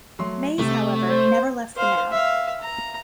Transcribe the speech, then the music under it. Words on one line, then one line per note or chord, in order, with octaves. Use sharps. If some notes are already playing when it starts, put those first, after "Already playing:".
Mays, however, never left the mound.
F#3 A3 C6
C3 A3
C5
C5 F5
E5 F5
A#5